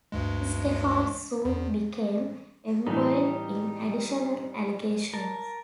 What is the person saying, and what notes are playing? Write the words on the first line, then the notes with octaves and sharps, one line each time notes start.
Stephan soon became embroiled in additional allegations.
D2 G2 G#3
E2
A2 E3 G3 D#4
A#4 A5